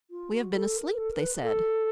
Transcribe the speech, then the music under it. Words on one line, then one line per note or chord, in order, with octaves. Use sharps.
"We have been asleep," they said.
F4
F#4
A4
A#4
A4
A#4
B4
A4